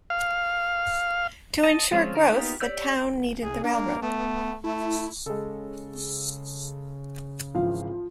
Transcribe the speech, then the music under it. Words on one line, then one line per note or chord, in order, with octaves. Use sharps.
To ensure growth the town needed the railroad.
F5
D#5 A5
F3 G#3 C4 C#4 F4
D3 A#4
A#3 B3 D#4 F4 G4
G4 C#5 D5 E6 G6
F#1
C2 G#4
A#3 D4
A3 B3
A3 E4
C#3 G#3 A4
G#1 E3 F3 F5